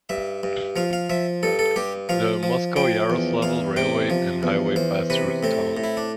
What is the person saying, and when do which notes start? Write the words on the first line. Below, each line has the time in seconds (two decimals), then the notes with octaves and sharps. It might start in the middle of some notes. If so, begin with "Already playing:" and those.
The Moscow-Yaroslavl railway and highway pass through the town.
0.09 G2 E5
0.43 G2
0.76 F3 F5
0.93 F5
1.10 F3 E5
1.43 G2 A4
1.59 A4
1.76 G2 G4
2.09 F3 F5
2.43 F3
2.76 F3 G5
3.10 E2
3.42 E2 F5
3.76 C3 G5
4.10 F3
4.43 E2
4.76 E2 C5
5.10 C3 B4
5.43 A2 C4
5.77 A2
5.84 E4
5.97 D4